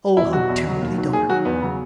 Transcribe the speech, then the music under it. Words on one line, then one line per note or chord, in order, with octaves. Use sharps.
"Oh, how terribly dark!"
E2 E4
B2 F#3 F#4
E2
B2 F#3
D#2
D#3 F#3
D#2 G#4
D#3 F#3 F#4
E2 B3
C#3 F#3